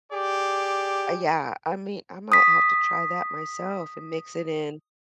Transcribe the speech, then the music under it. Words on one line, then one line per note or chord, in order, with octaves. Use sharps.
Uh, yeah. I mean, I might have to try that myself and mix it in
G4 G#4 D5
D#6 B6